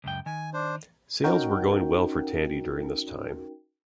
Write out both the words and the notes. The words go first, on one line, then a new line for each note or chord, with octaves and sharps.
Sales were going well for Tandy during this time.
C#2 F#2 G5
D#3 G#5
D4 C5
C#4 D#4 F#4 A#4 G5